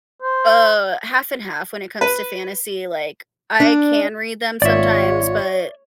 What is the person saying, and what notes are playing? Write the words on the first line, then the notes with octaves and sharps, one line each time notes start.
uh, half and half when it comes to fantasy, like, I can read them sometimes, but
C5
B4
D4
G#1 F4 C#5 D5 E5